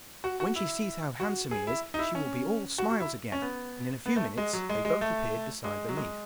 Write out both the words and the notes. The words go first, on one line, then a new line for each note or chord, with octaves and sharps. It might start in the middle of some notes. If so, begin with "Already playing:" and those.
When she sees how handsome he is she will be all smiles again.' And in a few minutes they both appeared beside the leaf.
F#4
F#4
E4
F#4
G#4
E4
D#4
E4
C#4
F#4
F#4
E4
C#4
B3
B3
A3
G#3
F#3
G#3
G#3
A3
G#3
F#3
G#3